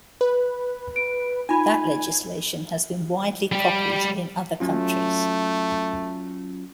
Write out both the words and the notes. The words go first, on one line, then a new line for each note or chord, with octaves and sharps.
That legislation has been widely copied in other countries.
B4
D7
D#4 F4 G#5 B5
G3 G4
F#3 A3 C#4 F4